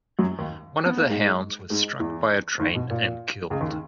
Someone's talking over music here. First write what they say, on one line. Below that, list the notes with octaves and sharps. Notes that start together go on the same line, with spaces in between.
One of the hounds was struck by a train and killed.
F#2 F#3
D#2 D#3
B3
A#3
G#2 G#3
G#2 G#3
E2 E3
D#2 D#3
B2
A#2
C#2 C#3
D#2 D#3
D#3